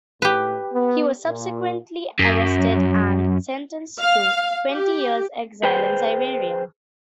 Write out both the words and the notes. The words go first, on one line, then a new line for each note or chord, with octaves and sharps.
He was subsequently arrested and sentenced to twenty years' exile in Siberia.
A2 G4 B4
B3
A#2
F#2
F5
G4
G#4 B4 C5 G5